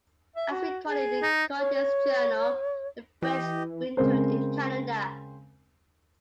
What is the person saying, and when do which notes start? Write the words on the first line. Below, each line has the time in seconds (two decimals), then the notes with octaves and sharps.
As recorded in Cartier's journal, the French wintered in Canada.
0.36 E5
0.51 F#4
0.87 G#4
1.22 D#4
1.57 C#5
3.22 E3 G4 D#5
3.97 C#3 G#3 C4 A#4 C5